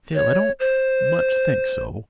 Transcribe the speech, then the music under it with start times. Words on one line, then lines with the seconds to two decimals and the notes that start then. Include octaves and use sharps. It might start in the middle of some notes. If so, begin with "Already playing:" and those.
Still, I don't much think so.
0.14 C#5
0.60 C5